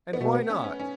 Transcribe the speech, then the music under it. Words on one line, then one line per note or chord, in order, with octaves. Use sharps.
"And why not?"
B3
B2 A3
B3
C#4
C#4
C#4